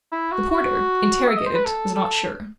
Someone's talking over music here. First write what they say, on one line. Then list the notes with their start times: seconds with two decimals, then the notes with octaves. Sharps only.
The porter, interrogated, was not sure.
0.12 E4
0.32 F#4
0.50 F#4
1.28 E5
1.37 D#5
1.46 C5
1.56 B4
1.65 A4
1.95 A4